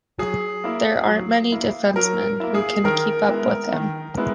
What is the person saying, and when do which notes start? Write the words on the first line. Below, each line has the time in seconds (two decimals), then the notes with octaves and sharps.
There aren't many defensemen who can keep up with him.
0.19 F#3 G#4
0.64 A#3 E4
1.07 F#3
1.52 A#3 E4
1.96 F#3 A#4
2.40 A#3 E4
2.54 G#4
2.84 D#3 A#4
3.29 G#3 B3 E4
3.73 D#3
4.17 G#3 B3 E4